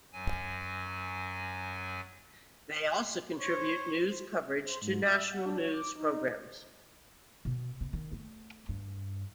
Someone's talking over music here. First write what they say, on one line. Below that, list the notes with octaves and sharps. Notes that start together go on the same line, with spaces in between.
They also contribute news coverage to national news programmes.
F#2 F#3 G#5
C5 C#5
C5
G#2
E5
F#5
D4
C#5
D6
D#4
B2
C#3 C4
D#3
A3
G2